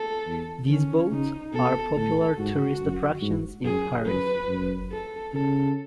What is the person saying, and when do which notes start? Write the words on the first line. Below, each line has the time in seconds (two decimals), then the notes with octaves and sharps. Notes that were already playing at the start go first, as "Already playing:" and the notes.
These boats are popular tourist attractions in Paris.
Already playing: A4
0.26 E2
0.69 D#3 C#4
1.11 C#3 D#4
1.53 B2 A4
1.96 A2 A4
2.38 G#2 F#4
2.81 F#2
3.22 G#2
3.64 F#2 G#4
4.06 F#2 B4
4.48 F#2
4.91 A4
5.33 C#3 A4